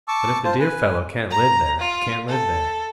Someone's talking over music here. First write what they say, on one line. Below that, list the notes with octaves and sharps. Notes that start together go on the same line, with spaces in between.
But if the dear fellow can't live there, he can't live there.
A5 C#6 D6 E6
F4 C5 A5
B4 G#5
A#5
F4
A4